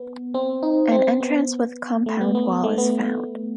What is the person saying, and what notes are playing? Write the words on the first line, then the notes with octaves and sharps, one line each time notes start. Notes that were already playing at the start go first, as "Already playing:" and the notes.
An entrance with compound wall is found.
Already playing: B3
C4
D#4
C4
B3
A3
B3
B3
A3
B3